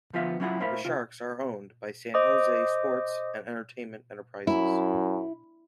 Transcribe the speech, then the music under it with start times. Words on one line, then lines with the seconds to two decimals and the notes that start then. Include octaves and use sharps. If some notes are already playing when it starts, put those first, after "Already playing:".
The Sharks are owned by San Jose Sports and Entertainment Enterprises.
0.13 D2 F3 B3 F4 E5 F5
0.40 F#3 A#3 C#4 E4 F4 F#5
0.60 A2 A#4 C5 E5 F5 B5
0.85 C3 F4
2.14 C5 D#5 D6 D#6
4.47 F#2 E4